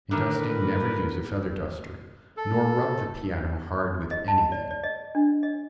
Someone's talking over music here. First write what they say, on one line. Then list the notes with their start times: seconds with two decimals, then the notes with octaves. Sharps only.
In dusting never use a feather duster, nor rub the piano hard with anything.
0.11 D3 D#3 A3 A#4 B4
2.37 A4
4.11 D#5
4.28 A5
4.52 D5
4.71 D5
4.83 D#5
5.15 D4
5.43 D#5